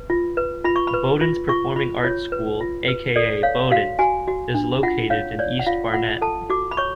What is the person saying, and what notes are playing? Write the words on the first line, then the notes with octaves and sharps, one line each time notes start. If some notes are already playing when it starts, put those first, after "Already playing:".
Bodens Performing Arts School, aka Bodens, is located in East Barnet.
Already playing: B4
F4
B4
F4 B5
C#6
B5
B4
F4
F4 C#6
F4 B5
F4 C#5
B4
F4
B4
A4 D5
C#5 F5
F#4 F5
F#4 G#5
F#4
D4
F4 F#5
C#5 F5
C#5 D5
F#5
F4 F5
F4 F#5
A4 A5
F#4 D6
B5
C#5 C#6